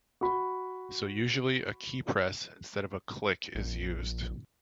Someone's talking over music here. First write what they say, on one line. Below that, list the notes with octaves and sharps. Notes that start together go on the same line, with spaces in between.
So usually a keypress instead of a click is used.
F#4 B5
A#1